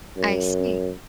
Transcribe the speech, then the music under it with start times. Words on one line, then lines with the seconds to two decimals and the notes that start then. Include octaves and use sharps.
I see.
0.17 F#2